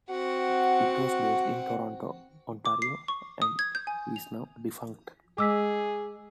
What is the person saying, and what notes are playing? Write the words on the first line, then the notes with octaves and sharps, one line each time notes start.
It was based in Toronto, Ontario, and is now defunct.
C4 F#4 F#5
D6
C7
C#6
D#6
G#6
G6
G#5
F7
G#3 G#4 D6 E6 B6